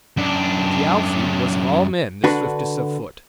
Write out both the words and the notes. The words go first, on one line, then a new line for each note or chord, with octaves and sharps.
Thialfi was of all men the swiftest of foot.
F#2 D4
D3 D4 F#4 B4